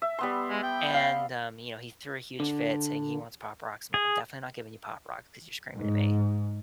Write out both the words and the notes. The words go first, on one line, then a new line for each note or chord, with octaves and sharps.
And, um, you know, he threw a huge fit saying he wants Pop Rocks. I'm like, "I'm definitely not giving you Pop Rocks 'cause you're screaming at me."
E5
G3 B3 C6
G#3
G5
F5 C7
D3
G#4
G#2